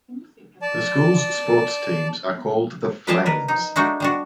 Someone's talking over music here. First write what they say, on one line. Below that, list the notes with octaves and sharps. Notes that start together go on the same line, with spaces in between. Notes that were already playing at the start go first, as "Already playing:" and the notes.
The school's sports teams are called the Flames.
D5 A5
B4 D5 D#5 F5 G#5 A5
A#4 B4
D#4
G#3 A3 D4 D#4 F#4
G3 D4 F#4